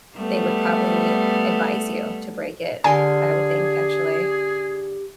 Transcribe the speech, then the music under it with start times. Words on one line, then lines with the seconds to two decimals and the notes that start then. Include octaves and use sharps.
they would probably advise you to break it. I would think, actually.
0.16 G3 A3 B3
2.84 D3 G4 G#4 A#4 G#5 C6